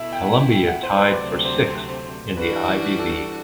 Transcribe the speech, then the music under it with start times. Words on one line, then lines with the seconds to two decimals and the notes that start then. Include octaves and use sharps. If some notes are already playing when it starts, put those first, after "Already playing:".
Columbia tied for sixth in the Ivy League.
Already playing: B2 A3 E4 E5
0.12 G5
0.22 F#5
0.52 G5
0.67 F#5
0.83 C5
0.98 B4
1.14 D2 C3 F#3 A3 C4 D5
1.45 C5
2.37 G2 E3 G3 D4 F#4 B4
2.99 A4